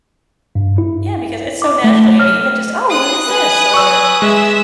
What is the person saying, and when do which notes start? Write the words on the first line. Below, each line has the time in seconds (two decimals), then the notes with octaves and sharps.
Yeah, because it's so natural, you know? Even just, "Oh, what is this?" or,
0.55 G2
0.78 E4
1.62 D6
1.84 A3
2.20 F6
2.90 D#6 F#6
3.26 B4 G#5
3.74 C#6 E6
4.22 G#3 E5